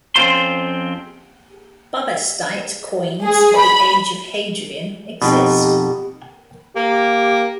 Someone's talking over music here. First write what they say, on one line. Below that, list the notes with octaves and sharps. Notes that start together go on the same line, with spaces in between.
Bubastite coins of the age of Hadrian exist.
F2 C4 C#4 F4 C5 C6
G#4
B5
F2 B2 D#4 G4 G5
A#3 G4